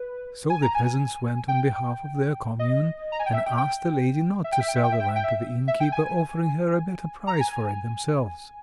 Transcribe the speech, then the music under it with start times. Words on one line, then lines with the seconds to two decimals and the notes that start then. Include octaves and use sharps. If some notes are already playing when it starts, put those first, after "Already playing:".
So the peasants went on behalf of their Commune, and asked the lady not to sell the land to the innkeeper; offering her a better price for it themselves.
Already playing: B4
0.50 G#5
0.62 A#5
0.75 G#5
1.48 G5
2.59 D#5
3.12 A#5
3.19 G#5
3.26 G5
3.33 E5
3.46 G5
3.58 G5
4.44 E5
4.52 G5
4.60 E5
4.68 G5
4.76 E5
4.84 G5
4.92 E5
5.00 G5
5.08 E5
5.16 G5
5.24 E5
5.68 E5
5.80 G5
5.92 G#5
7.27 A#5
7.40 G#5